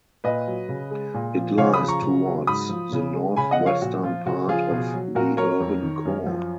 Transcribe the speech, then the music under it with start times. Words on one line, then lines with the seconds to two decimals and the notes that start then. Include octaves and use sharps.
It lies towards the northwestern part of the urban core.
0.24 A#2 B4 D#5
0.47 F#3
0.69 C#3
0.91 G#3
1.14 A#2
1.37 F3
1.58 C#3 C#5 F5
1.74 B5 D#6
1.81 F3
1.88 A#5 C#6
2.03 C#3
2.26 F#3
2.47 G#2 B5 D#6
2.69 F3
2.92 C#3
3.15 G#3
3.36 C#3 G#5 B5
3.51 D#5 F#5
3.60 F3
3.66 C#5 F5
3.82 A#2 F#4
4.03 F3 F4
4.26 C#3 F#4
4.48 F3 F4 G#4
4.71 B2
4.94 F#3
5.15 A#2 F#4 A#4
5.37 F#3 A#4 C#5
5.60 F2
5.83 D#3
6.05 F#2
6.27 F3